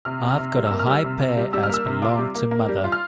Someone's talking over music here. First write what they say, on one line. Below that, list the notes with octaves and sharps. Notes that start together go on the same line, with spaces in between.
I've got a high pair as belonged to mother.
C3 F6
C3
F6
C3
G3
A#3 E6
F6
G3 E6
C3
C3
G3
G3 E6
F6
A#3 E6
C3
F4 D6
G3
A#3
A#3
G3
F4
F6